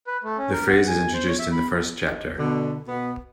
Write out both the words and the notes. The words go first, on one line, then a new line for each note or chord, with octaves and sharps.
The phrase is introduced in the first chapter.
B4
A3
C#4
A#4
F#5
G#5
C5
C#5
E5
B5
B2 D3
B2 B3